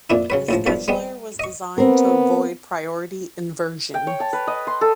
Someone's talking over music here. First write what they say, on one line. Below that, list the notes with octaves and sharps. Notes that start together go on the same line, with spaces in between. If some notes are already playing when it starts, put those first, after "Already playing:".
The scheduler was designed to avoid priority inversion.
F2 A#2 D4 E4
C#3 F#3 B4
A#1 A2 F3
B1 G2 F3 B4
G3 G#3 B3
D#5 C#6
B3 C4 A#4
G5
C#5
A5
B4
D#5
C6
A4